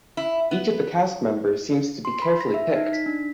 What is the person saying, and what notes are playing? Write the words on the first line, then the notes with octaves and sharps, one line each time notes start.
Each of the cast member seems to be carefully picked.
E4
B3
C6
B5
A#6
E5
D#4
B6
D4